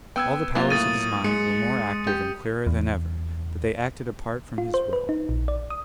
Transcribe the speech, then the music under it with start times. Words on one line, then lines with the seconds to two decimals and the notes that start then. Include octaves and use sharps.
All the powers of his mind were more active and clearer than ever, but they acted apart from his will.
0.16 B3 G5 E6 G#6
0.55 F#3 A#3 F4
0.70 A2 D#6 A6 D#7
1.24 G#3 C#7
2.07 G4
2.67 E2
4.58 F4
4.74 C5
4.93 B4
5.09 D#4
5.29 A#1
5.48 D5
5.70 D#6